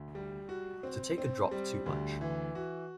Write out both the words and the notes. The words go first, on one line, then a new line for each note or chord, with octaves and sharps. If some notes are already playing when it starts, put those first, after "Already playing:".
To take a drop too much.
Already playing: D2
G3
F#4
C4
C4
G3
D2
E3
F#4